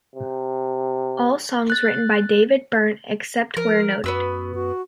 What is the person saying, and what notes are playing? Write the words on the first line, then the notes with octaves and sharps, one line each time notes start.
All songs written by David Byrne except where noted.
C3
F#6 A6
F3 A#4
F#2 B3 F#4 B4 E6
F#4